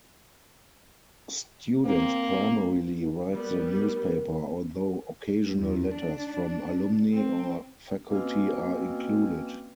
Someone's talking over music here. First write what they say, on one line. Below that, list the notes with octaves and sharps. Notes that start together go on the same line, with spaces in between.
Students primarily write the newspaper, although occasional letters from alumni or faculty are included.
A#3 C4
G3 B3 A#4
E2
D4
C4
B2 A#3 C4 C#4